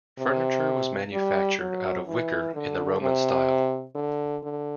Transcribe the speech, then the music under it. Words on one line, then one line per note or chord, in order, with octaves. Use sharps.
Furniture was manufactured out of wicker in the Roman style.
C3
G3
F#3
E3
D3
C3
D3
D3